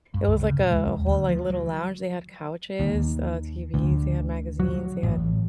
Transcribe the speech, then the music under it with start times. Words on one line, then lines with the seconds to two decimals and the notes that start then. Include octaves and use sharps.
it was like a a whole, like, little lounge, they had couches, uh, TVs. They had magazines, they had,
0.14 G2
0.27 C#2
0.43 C#3
0.59 D#1
0.70 G#3
0.86 D#2
1.06 D2
1.28 F3
1.50 F#3
2.80 D#2
3.74 D2
4.60 F#3
5.03 A1